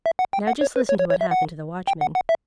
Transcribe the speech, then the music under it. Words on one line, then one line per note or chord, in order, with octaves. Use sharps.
Now just listen to what happened to the watchman.
E5
F#5
G5
F#5
C#5
B4
C#5
C#5
C#5
E5
F#5
G5
F#5
F#5
E5